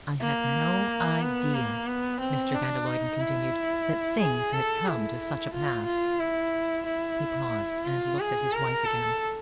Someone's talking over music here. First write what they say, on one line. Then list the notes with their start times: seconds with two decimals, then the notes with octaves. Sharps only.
"I had no idea," Mr. van der Luyden continued, "that things had come to such a pass." He paused, and looked at his wife again.
0.21 A#3
1.21 B3
1.54 A#3
1.87 B3
2.21 C4
2.54 D4
2.87 D#4
3.21 E4
4.20 G#4
4.54 A4
4.87 E4
5.54 F4
5.86 F4
6.19 E4
6.86 E4
7.86 F4
8.20 G#4
8.53 A#4
8.86 A4